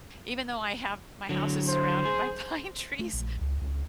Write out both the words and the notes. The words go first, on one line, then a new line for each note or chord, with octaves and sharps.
even though I have my house is surrounded by pine trees,
D3 F#3
C5
G#4
A3
A#1
C#2
C#2